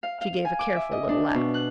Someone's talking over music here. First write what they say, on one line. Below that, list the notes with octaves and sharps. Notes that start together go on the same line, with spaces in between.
She gave a careful little laugh.
F5
F5
G#5
D6
E5
D#5
D4
B2
F#6